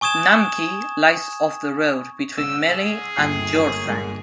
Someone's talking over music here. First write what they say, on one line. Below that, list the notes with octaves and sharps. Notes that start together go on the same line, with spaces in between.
Namchi lies off the road between Melli and Jorethang.
G#5 C#6 D#6 G#6 E7
C2 E6
G#4 E6
G1 D#2 G#5 C7
F#2 A#3 C#6
G1 G#2 G#3 A#3 G#5